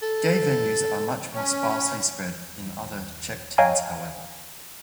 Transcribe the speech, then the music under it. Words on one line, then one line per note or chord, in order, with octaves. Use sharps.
Gay venues are much more sparsely spread in other Czech towns however.
A4
C#4
C#5 D#5 F5 G5 G#5 A#5